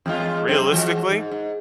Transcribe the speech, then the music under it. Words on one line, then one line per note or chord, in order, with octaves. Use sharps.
Mm. Realistically?
E2 G#3 F4
F#2 C4 C5
E3 G#3 F#4
G#2
G#2